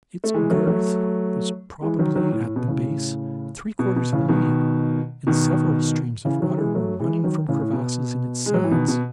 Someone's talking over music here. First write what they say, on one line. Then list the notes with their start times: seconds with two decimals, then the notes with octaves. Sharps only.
Its girth was probably, at the base, three-quarters of a league, and several streams of water were running from crevices in its sides.
0.24 A3
0.34 E3 G#3
0.50 F#3 A3
0.67 F#3 A3
1.82 E3 G#3
1.99 D#3 F#3
2.16 D#3 F#3
2.32 A2
2.43 A2
2.56 B2
2.68 A2 C#3
3.79 B2
3.96 B2
4.13 A2 C#3
4.29 B2 D#3
5.27 B2 D#3
6.25 C#3 E3
6.42 D#3 F#3
6.58 E3 G#3
6.74 F#3 A3
7.00 E3 G#3
7.24 D#3 F#3
7.48 A2 C#3
7.61 A2
7.73 B2
8.46 G#3
8.54 F#3
8.64 E3
8.71 B2 D#3
8.88 B2